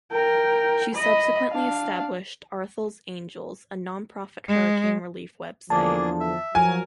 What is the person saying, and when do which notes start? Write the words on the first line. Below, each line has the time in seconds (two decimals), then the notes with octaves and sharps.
She subsequently established "Arthel's Angels", a nonprofit hurricane relief website.
0.12 A#4 G5
0.94 D#5 B5
1.51 D4 F5
4.48 G#3
5.70 E2 D3 F3 A#3 D4 G#4 A5
6.20 E5
6.55 F3 F#3 A#4 G#5